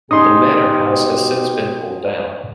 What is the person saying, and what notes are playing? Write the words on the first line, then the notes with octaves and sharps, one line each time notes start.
The manor house has since been pulled down.
B2 D#4 G4 G#4 C6 D#6